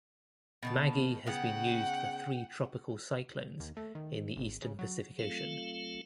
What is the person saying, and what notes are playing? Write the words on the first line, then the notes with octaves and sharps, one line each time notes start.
Maggie has been used for three tropical cyclones in the Eastern Pacific Ocean.
B2 D#3 A5
C#3 B3 F#5 G5
D#2
A3
D#3
G#1
C#3
F#3
F#3 A3 C4 F4 A4 F5